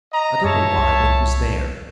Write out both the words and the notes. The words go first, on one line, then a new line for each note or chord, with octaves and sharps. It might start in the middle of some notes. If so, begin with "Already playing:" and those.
I don't know why, but it was there.
D#5 A#5
F#2 C#5 E5 A5
C2